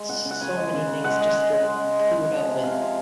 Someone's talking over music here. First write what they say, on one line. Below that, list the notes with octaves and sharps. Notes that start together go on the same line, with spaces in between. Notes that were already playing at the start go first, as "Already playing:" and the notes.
S so many things just get cleared up with
Already playing: G#3
C#3 F#5
C#3
F#5
C#3 G#5
G#3
C#3
C#3
G#3 F#5
G#3
G#3
G#3
G#3
C#3
G#3
G#3
F3 F#5
C3
C3 F5
F3